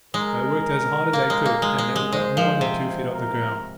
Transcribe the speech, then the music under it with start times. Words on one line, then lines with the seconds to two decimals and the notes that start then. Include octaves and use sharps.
I worked as hard as I could, and never got more than two feet off the ground.
0.14 G#3 A#4
1.13 A#3
1.30 G#3
1.46 A#3
1.62 G#3
1.78 G#3
1.96 G#3
2.12 G#3 C5
2.37 F3
2.61 C3 C5
3.11 A#4